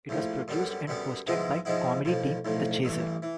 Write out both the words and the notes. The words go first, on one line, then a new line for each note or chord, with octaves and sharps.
It was produced and hosted by comedy team The Chaser.
A#1 A2 F3
F#2 D3 G3 B3
F#2 D3 G3 B3
G#2 F3 G#3 B3 E4
G#2 F3 G#3 B3 E4
B1 A2 F3
B1 A2 F3
A1 G2 E3
E3